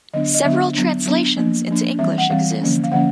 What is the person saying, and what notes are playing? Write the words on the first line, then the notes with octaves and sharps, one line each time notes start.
Several translations into English exist.
D3 F#3 B3 D4 D#5
D#5
D3 F#3 B3 D4 E5
F#3 B3 D4
F#3 B3 D4
F3 A#3 D4
F3 A#3 D4
E3 G3 C4 E5
F#5
E3 G3 C4 F5
D3 F3 A#3 C#4
F5
D3 F3 A#3 C#4 F#5